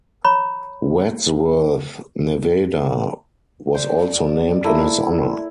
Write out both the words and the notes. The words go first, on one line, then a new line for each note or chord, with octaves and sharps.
Wadsworth, Nevada, was also named in his honor.
C#5 A#5 B5 C#6
C5 D5
A3 A#3 E4